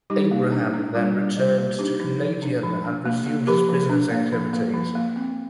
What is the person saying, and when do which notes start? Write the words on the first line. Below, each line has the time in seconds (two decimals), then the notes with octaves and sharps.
Abraham then returned to Canadian and resumed his business activities.
0.10 G3 D#4 G4
0.31 A#3
0.52 D4
0.73 D4
0.95 G3 D4 F4
1.16 G3
1.36 G3
1.58 A#3
1.79 D4 D#4 G4
2.00 F3
2.22 F3
2.42 D4
2.63 F3
2.84 D4
3.06 A#3
3.27 A#3
3.47 F3 G4 A#4
3.69 F3
3.89 D4
4.11 A#3
4.32 F3
4.53 A#3
4.74 F3
4.95 A#3
5.16 C4